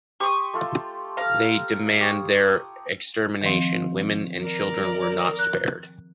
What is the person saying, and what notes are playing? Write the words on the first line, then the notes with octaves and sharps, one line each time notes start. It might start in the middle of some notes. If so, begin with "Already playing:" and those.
They demand their extermination, women and children were not spared.
G4 C6 C#6 D#6
A3 F4 A4
A4 F5 A#5
G4 C#5 D#6
D#3 F3 C4
A#4 D5
F#6